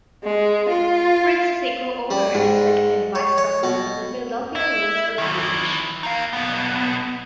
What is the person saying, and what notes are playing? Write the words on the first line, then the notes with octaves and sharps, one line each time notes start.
Fritz is Co-Owner and Executive Vice President of the Philadelphia Wings organization.
G#3
F4
G3
G#2
C#5
C#5
B2
E4
D#3 E3
D#4 F5
B1 B3